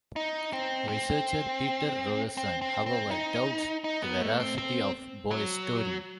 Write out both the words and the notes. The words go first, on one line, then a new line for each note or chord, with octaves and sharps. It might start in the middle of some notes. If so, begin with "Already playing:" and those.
Researcher Peter Rogerson, however, doubts the veracity of Boas' story.
D#4
C4
C4
C4
C4
C4
D#4
D#4
B3
A3
C4
C4
F#3